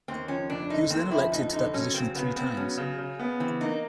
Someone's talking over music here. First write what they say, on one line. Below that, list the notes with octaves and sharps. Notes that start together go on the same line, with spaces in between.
He was then elected to that position three times.
D#2 C4
F3 C#4
F1 D4
D3 D#4
D#2 C4
F3 E4
F1 D#4
D3 D#4
F#3 C#4
C#3 C4
C#3 B3
B3 C4
F#3 C#4
C#3
C#3
B3
E3 C4
A#3 D#4